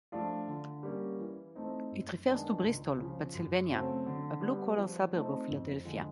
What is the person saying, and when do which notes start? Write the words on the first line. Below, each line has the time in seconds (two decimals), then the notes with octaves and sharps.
It refers to Bristol, Pennsylvania, a blue collar suburb of Philadelphia.
0.12 F3 A3 D4 F4
0.48 D3
0.83 G3 A#3 C#4
1.19 E3
1.55 A3 C4 D#4
1.91 F#2
2.27 D#3 G#3 B3 D4
2.63 C#2
2.99 C#3 F3
3.34 F#2
3.70 C#3 F#3 A3 C4
4.06 D3
4.41 G3 B3
4.77 F3
5.13 A3 C4 D#4
5.50 F2
5.85 D3 F3 G#3